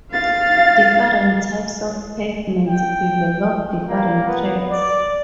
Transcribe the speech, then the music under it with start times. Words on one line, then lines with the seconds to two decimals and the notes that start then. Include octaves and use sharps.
Different types of pavements develop different cracks.
0.12 F5 A6
2.67 G5
3.89 A#3
4.27 B3
4.71 D5